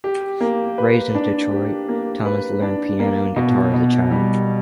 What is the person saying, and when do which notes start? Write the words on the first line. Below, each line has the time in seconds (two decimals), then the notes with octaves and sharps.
Raised in Detroit, Thomas learned piano and guitar as a child.
0.04 G4
0.41 A#3
0.78 B4
1.15 D4
1.51 G4
1.88 A#3
2.25 B4
2.62 D4
2.99 A#3
3.36 B2
3.74 B2
4.11 G3